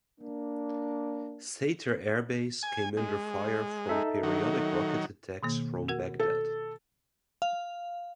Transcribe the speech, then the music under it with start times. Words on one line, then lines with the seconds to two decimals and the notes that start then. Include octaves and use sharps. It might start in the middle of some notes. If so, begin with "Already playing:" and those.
Sather Air Base came under fire from periodic rocket attacks from Baghdad.
0.20 A#3 D4
2.63 G#5
2.97 G#3
3.89 D#4 A4 E5
4.23 D#3 F#3
5.43 B2 D#3 A#3
5.88 F#4 A#4 F#5
6.20 A4
7.42 F5